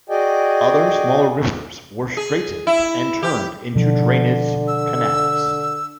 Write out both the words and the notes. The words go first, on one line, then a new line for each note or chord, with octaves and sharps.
Other smaller rivers were straightened and turned into drainage canals.
F#4 G#4 D5 D#5 G5 G#5
G#4
E4
G4
B2 D3 F3
E6